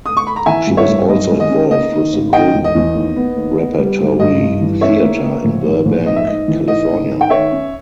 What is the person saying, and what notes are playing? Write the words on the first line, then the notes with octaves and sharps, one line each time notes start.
She was also involved with the Group Repertory Theatre in Burbank, California.
D#6
C#6
B5
A#5
E3 E5 G#5
G2
C#5 E5
G2
B1 D#5
G#3
D#5
C#4
A#3 D#5
D#3
G#1
D#3 D#5 G5
E1
D#5
E2
D#2
B3
D#2
B3
G3
G#2
G2 D#5
G2
E3
C#4 C#5 E5
A#3
A#3
A#1
G#2
A#1
G#2 D#5
E5
G#2 D#5
E3
G#2 D#5
G#2
D#3
G5
D#3 C#5 E5
C#4